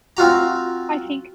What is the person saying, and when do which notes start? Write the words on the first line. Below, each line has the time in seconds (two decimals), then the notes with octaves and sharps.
I think
0.17 C4 F4 F#4 A#5